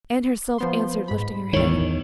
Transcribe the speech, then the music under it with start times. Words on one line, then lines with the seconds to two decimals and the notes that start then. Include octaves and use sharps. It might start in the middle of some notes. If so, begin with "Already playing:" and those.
Anne herself answered, lifting her head.
0.58 F3 B3 C6
1.08 G#2 B5
1.53 A1 E2 D#3 C#5